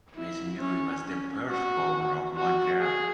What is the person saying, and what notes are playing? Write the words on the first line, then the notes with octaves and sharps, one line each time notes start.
Maisonneuve was the first governor of Montreal.
E4
C#4
C#4
F#4
F#4
G#4